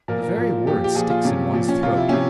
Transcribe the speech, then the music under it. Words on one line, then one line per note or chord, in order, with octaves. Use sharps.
The very word sticks in one's throat.
A#2 F3 A#4
A#4
A#2 F3
A#2 F3 G4
G4
A#2 F3 G#4
F4
C3 F3 C#4
A#2 F3
C#4
C3 F3 F4
E4
C3 F3 C#4